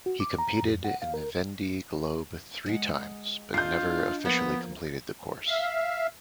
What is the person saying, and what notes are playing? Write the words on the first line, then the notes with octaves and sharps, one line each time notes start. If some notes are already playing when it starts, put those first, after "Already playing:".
He competed in the Vendee Globe three times but never officially completed the course.
F#4
D6
A#5
F2
F#5
F5
A#4
G#3 F#5
D4 F4 D#5 G6 C7
D2 F3 A#3 B3
E5 F5